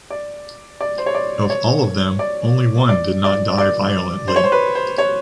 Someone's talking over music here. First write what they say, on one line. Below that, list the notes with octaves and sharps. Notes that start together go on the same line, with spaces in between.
Of all of them, only one did not die violently.
D5
D5
C5
C#5
D5
C#5
D5
D5
D5
D5
C5
C#5
C5
B4
C5
C#5